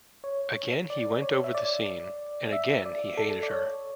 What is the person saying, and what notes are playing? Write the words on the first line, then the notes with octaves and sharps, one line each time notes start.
Again he went over the scene, and again he hated her.
C#5
D5
C#5
E5
D5
E5
D5
A4
D5
C#5